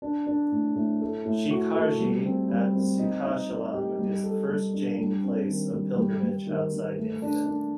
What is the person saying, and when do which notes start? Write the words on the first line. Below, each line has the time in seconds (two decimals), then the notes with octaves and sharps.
Shikharji at Siddhachalam is the first Jain place of pilgrimage outside India.
0.02 D4
0.26 D4
0.52 A2
0.76 A2
1.02 A3
1.26 A2
1.51 F#4
1.75 A3
2.00 G3
2.26 C4
2.50 G3
2.75 C4
2.99 D#4
3.24 D#4
3.49 D#4
3.74 G4
3.99 G3
4.23 A4
4.48 G3
4.73 D4
4.99 G3
5.24 C4
5.48 D#3
5.73 G3
5.98 G3
6.23 G3
6.47 D#3
6.72 D#3
6.97 A3
7.22 D4
7.46 D4